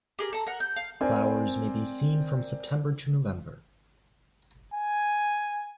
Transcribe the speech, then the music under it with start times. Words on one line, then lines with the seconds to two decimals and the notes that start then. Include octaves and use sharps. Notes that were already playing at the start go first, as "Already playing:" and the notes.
Flowers may be seen from September to November.
0.19 G4 G#4 A#4
0.33 A4 A#5
0.46 A#4 F#5
0.60 G6
0.76 F5
1.01 C4 A#4 D5 G#5
4.74 G#5